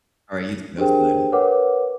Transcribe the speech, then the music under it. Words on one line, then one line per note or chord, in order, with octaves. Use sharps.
Alright, you too, I'll see you later.
D4 G4 G#4 A#4 C5 G5
A#4 B4 C#5 F#5 D6